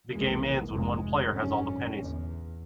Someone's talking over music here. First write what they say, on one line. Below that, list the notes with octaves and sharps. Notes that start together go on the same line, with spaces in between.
The game ends when one player has all the pennies.
F1 B1 E3 G#3 A#3
F1 G#2 G#3
G#1 F#2 A#2 D3 C#4
E2